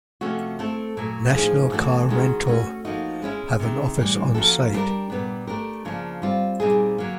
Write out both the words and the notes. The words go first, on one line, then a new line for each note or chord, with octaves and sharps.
National Car Rental have an office onsite.
C3 F3 A3 C#4 F#4
A3 C4 E4 A4
A#2 F#3 A3
A2 F3 A#3 D#4 G#4
E3 A3 D4 F#4 A4
D#3 G#3 C#4 F#4
A3 C#4 F#4
F3 A#3 D#4 F#4
G#3 C#4 E4
C3 D#3 G#3
A2 E3 G3
F3 A#3 C#4 F#4 A4
G3 B3 D4 G4 A#4
A#2 G3 B3 D4
A3 D4 G4 A#4
C#3 F3 A#3 D4
G3 C4 F4
A#2 G3 C4 D#4 G#4
D3 F#3 A#3